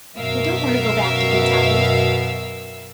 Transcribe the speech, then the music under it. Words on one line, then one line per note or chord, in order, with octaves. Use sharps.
I don't want to go back to Kentucky!
F#2 B2 A#4 E5 F5 E6